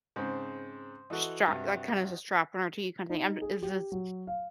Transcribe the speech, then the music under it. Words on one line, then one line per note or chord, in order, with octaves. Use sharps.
strap like, kinda has a strap, an RT kinda thing. I'm is this
G#2 C#3 C4 C5
E3 F#4 A4 D#5
G2 C3
D#4
G#4
G4
F#3
F5